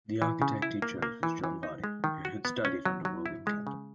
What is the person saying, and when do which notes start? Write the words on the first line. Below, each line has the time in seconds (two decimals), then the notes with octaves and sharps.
The architect he chose was John Vardy who had studied under William Kent.
0.22 E3
0.42 C#3
0.62 E4
0.82 A#3
1.02 A#3
1.23 E3
1.44 E3
1.63 D#4
1.84 G#3
2.04 D#3
2.25 F#4
2.45 B3
2.65 C#4
2.85 F#3
3.05 F#3
3.26 E4
3.47 G#3
3.67 C#3